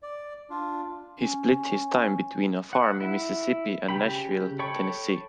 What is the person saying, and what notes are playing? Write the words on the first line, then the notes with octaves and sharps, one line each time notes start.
He split his time between a farm in Mississippi and Nashville, Tennessee.
D5
D4 F4
C#4
F#5
E4
C#3 G4 B5
A4 C#5 G5 B5 C#6